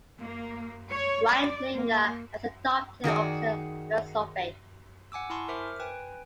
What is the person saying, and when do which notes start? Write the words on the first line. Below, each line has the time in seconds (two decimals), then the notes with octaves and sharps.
Riedlinger has adopted the opposite philosophy.
0.19 A#3
0.92 C#5
1.31 D5
1.75 A#3
3.04 D#3 F#4 G#4 D5
5.12 F#5 G#5 D6 E6
5.30 E4 G#5 A5 C6 C#6
5.48 A#4 C5 E5 D6 F6
5.80 B4 G5 G#5